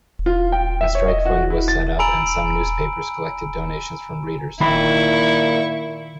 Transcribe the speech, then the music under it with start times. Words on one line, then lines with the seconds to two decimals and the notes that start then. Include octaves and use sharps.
A strike fund was set up and some newspapers collected donations from readers.
0.26 F4
0.52 G5
0.81 E5
0.95 C#5
1.08 D#5
1.25 F#4
1.50 E4
1.68 A6
1.99 G#5 A#5 B5 E6 D7 F#7
4.60 A#2 D#3 E4 B5 C#6